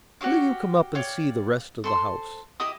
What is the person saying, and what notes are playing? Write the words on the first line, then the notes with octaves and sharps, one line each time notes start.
"Will you come up and see the rest of the house?"
F#4 G4 C#5 F5
C#5 D5 F5 G5
A4 C5 C6
E4 G4 D#5 D#6